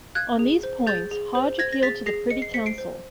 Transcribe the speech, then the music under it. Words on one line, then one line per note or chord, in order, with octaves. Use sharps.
On these points, Hodge appealed to the Privy Council.
F5 F#6 G#6
G#4
C5
G#4 G6 A6
G#4
C5
C5 G#6 A#6
A#6
G#4 A6 B6
G#4 A#6 C7
D#5 C#7
C7
C5 B6 C#7
C7 D7
C5